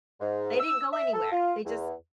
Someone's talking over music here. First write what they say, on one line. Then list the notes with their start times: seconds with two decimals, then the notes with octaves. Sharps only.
they didn't go anywhere, they just
0.20 G#2
0.60 E6
0.93 E5
1.13 A4
1.32 F4
1.65 E2